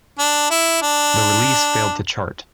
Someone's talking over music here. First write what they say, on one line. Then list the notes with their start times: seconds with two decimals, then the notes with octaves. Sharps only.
The release failed to chart.
0.19 D4
0.51 E4
0.82 D4